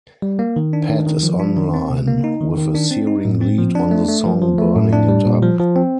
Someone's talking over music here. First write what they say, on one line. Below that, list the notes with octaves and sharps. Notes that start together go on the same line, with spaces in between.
Pat is on line with a searing lead on the song Burning it Up.
G3
A#3
D#3
D4
D#3
D#3
F3
D4
D#3
C4
C3
A#3
D#4
D#3
D#3
D4
C4
D#4
A2
C4
F3
D4
A3
A3
F3
F3
A3
A2
D4
G3
A#2
F3
F3
C4